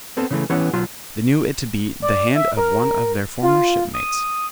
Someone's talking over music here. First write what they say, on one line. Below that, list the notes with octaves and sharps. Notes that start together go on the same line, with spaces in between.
They knew it to be the hand of one of their former shipmates.
B3 C4 A4
C#3 E3 A3
E3 B3 C#4 E4 G4 F#5
B1 F#3 F4 C6
D5
E5
A#4
F4
D#6